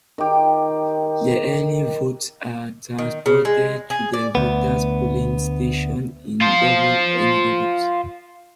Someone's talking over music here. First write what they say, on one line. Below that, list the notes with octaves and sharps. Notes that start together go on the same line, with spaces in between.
The early votes are transported to the voter's polling station in double envelopes.
D#3 G4
D#3
C#3
G#3
G#4
D5
D2 B3
F4 C5